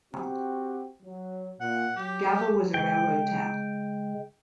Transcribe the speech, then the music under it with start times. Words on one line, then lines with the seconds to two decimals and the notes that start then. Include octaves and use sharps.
Galva was a railroad town.
0.14 C4 F#4 G4
1.01 F#3
1.61 A#2 F#5
1.97 F#3 G4
2.74 C#3 G#3 G5